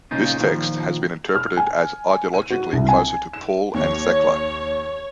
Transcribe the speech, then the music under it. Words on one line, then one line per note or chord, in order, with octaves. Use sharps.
This text has been interpreted as ideologically closer to "Paul and Thecla".
A#2 C#3 D#4 F4
A#2 D#3 F3
F6
G#5
D#7
F#4
C2
G#5
E7
D#2 C#5